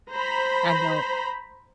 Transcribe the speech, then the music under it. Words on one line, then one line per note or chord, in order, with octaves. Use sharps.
I know
C5 A#5 B5